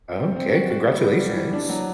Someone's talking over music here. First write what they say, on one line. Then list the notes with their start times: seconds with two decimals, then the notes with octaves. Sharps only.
Okay, congratulations.
0.20 C4
0.36 C4
0.53 F#4
0.70 F#4
0.87 G3
1.03 B3
1.19 G3
1.36 E3
1.53 D4
1.69 F#3